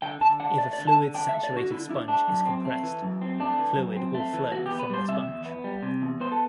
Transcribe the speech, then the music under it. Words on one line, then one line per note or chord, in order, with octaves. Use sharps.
If a fluid- saturated sponge is compressed, fluid will flow from the sponge.
D3 G5
D3 A5
D4 F#5
A3 D5
D5
D3
A5
D3
D4 G5
E5
A3
D5
D3 F#4
D3 E4
D4 E4
A3 D4
F#2
C4
A3
E3
F#2
C4
A3 D4
E3
F#2
C4
A3
E3
E2 F#4
G4
B3
B4
G3 C5
C3 E5
E2
B3
G3
C3
E2
B3 C5
A4